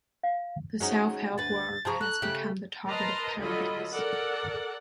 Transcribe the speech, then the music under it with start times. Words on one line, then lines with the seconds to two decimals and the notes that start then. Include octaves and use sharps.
The self-help world has become the target of parodies.
0.23 F5
0.80 G#3 C#4 D#4 F#4 G#4
1.38 D2 B4 A6
1.85 C3 F3 G#4 A5 A#5 C#6
2.01 A4 F#6
2.22 C#3 G3 A3
2.87 A#4 B4 D#5 A5 A#5 C6
3.38 D3 F#3 F4 A4 D#5 B5
3.92 A4 A#4 D5 F#5